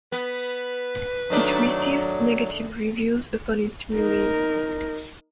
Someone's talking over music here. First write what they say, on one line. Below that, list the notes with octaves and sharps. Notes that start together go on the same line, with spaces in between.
It received negative reviews upon its release.
B3 B4
D#3 F#3 A3 D4
D#4 A#4